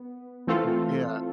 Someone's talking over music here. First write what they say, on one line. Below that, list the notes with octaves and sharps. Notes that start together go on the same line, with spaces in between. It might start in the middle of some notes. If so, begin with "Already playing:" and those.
Y yeah,
Already playing: B3
E3 A3 C4 F4 A4